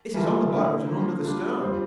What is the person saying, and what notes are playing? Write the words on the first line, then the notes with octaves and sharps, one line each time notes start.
"It is on the bows and under the stern."
E3 G3 A#3 F4 A4
D3 A3 E4 A#4
D3 F3 A#3
G3 D4 F4
G3 C4 F4 C5